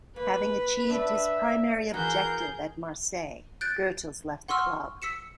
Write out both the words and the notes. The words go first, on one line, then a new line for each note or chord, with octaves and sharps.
Having achieved his primary objective at Marseille, Goethals left the club.
A#3 B4
D4 E5
E3 F#4 G#4 A#4 G6
F#6 G6 A6 D7
F#5 C6 C#6 E6 F6
E6 B6 C#7 E7